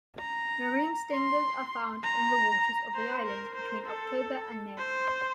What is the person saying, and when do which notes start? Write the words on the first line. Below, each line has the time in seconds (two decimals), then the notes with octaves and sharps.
Marine stingers are found in the waters of the islands between October and May.
0.20 A#5
1.11 C6
2.03 A#5
2.95 C5
3.26 A#4
3.55 C5
3.86 A4
4.78 C5